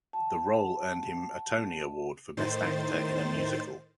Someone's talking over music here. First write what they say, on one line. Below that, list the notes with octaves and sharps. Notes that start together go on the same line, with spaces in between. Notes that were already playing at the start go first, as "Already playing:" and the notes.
The role earned him a Tony Award for Best Actor in a Musical.
F#5 A5
A2 D#3 C5 A6